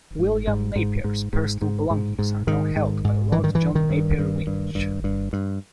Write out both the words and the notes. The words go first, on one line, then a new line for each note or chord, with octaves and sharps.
William Napier's personal belongings are now held by Lord John Napier-Winch.
G#2
G#2
G#2
G#2
G#2
G#2
G#2
G#2
G#2 D#3
G#2
G#2
G2 E3
D#3
E3
G2
D#3
G2
G2
G2
G2
G2
G2